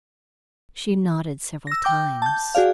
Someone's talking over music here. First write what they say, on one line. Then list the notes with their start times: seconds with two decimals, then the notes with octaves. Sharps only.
She nodded several times.
1.67 E6 A#6
1.84 G5 D6 G6
2.22 A5 G6
2.55 F#4 G#4 D5 F5